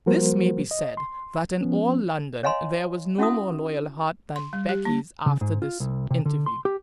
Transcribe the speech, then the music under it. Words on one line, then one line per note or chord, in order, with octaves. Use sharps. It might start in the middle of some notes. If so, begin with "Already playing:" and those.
This may be said, that in all London there was no more loyal heart than Becky's after this interview.
F3 G3 A#3 F#4 A#4 C5
D#5
C6
F3 B3 C#4
C#5 D#5 F5 G#5 A#5 C6
C#4 E4 F#4 E5 D#6
C6
G3
G4
A#3
C#3
G#2
F4
C2
C3
D3
C6
G4